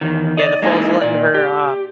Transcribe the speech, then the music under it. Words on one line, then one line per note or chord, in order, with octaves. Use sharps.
yeah, the phone's letting her, uh,
E2 D#3
D5 D#5
G#3 A#3 D#4 E4 G#5
A#2 D5
G4